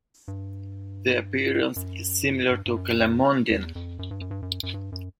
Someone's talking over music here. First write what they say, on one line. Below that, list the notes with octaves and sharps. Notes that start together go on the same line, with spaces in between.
The appearance is similar to Calamondin.
G2
F#2
G2
G2
F#2
F2
E2
F2
F#2
G2
F#2
G2
F#2
F#2
G2
F#2